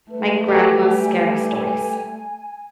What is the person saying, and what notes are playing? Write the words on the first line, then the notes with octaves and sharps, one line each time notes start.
my grandma's scary stories,
G3 A3 B4
G4 A4 G#5